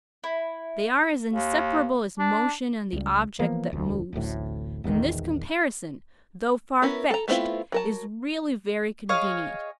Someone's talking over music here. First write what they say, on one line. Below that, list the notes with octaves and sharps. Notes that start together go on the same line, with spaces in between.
They are as inseparable as motion and the object that moves; and this comparison, though far-fetched, is really very convenient.
E4
D#2
D4
C#2 C#3 G3
E3 F3 A#3 B3
E1 D2
D1 A1 D2 A2
E1 A#1 E2 D#3
B3 C#4 E4 A#4
A4 A#5
A3 B3 C4 E4 F4
F#3 A#4 A5
G#4 C#5 D#5 F5